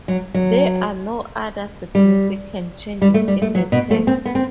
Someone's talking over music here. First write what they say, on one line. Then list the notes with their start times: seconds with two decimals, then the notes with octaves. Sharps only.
There are no other significant changes in the text.
0.08 F#3
0.34 F#3
1.95 G3
3.02 G3
3.14 A3
3.28 G3
3.42 A3
3.55 F#3
3.72 B2
3.91 A3
4.07 C4
4.26 B3
4.35 C4